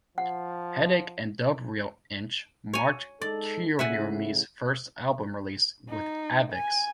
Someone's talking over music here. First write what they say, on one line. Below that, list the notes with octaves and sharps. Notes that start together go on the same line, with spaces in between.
"Headache and Dub Reel Inch" marked Kuroyume's first album release with Avex.
F3 F#5
C#5 G#5
G#3 D#4 A4 D5
A2 C#3 E4 E5 F#5 G#5
D#4
G#5